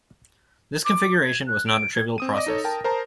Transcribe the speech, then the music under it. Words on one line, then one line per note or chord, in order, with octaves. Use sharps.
This configuration was not a trivial process.
D6
G#6
F#6
D7
G#6
C4 D#6 D#7
D5 D#5 D6 A#6
D#4 A4 C#5
A#4 G5 A5
A#4 C5 A5 A#5